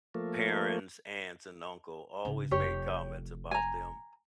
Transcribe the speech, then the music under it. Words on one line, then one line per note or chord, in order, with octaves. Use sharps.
parents, aunts and uncle always made comments about them,
F3 A3 A#3
G#1 C#3
F1 G4 C#5
G#5 A#5